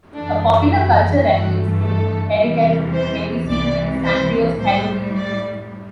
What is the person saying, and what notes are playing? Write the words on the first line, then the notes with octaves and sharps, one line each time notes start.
A popular culture reference to Teruteru can be seen in Sanrio's Hello Kitty.
F#2 E3 A3 D4
E4
G2 E3 A3 F#4
A4
E2 C3 E3 G3
C5
C2 C3 E3 D5
C5
A2 G3 C5
D5